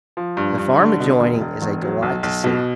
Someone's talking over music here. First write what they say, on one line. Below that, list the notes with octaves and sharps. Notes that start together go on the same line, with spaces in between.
The farm adjoining is a delight to see.
F3
G2
G2
D3
B2
E1
E1
E2
F#3
B1
B1
B2